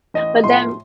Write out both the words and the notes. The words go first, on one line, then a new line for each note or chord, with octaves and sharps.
but then
A1 D#5
A2 F3 A3 C6